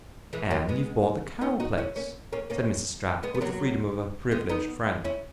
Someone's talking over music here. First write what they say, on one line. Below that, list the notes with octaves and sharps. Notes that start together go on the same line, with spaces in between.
"And you've bought the Carroll place," said Mrs. Stapp, with the freedom of a privileged friend.
E3 G#3
F#3 A#3
G#3 B3
B3 D#4
D#4 F#4
C#4 E4
A#3 C#4
A#3 C#4
A#3 C#4
G#3 B3
B3
F#3 A#3
G#3 B3
B3 D#4
C#4 E4